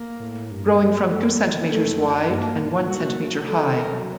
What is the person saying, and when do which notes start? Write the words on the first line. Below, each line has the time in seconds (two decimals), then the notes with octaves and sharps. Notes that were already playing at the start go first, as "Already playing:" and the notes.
Growing from two centimetres wide and one centimetre high.
Already playing: A#3
0.20 A2
0.51 G2
0.80 G2
1.09 F#2 A3
1.70 A3
2.29 G2 A#3
2.59 A#2
2.88 G3 F#4
3.08 A#3
3.28 A3
3.47 G3 A4
3.67 D#3
3.77 A#4
3.88 F#3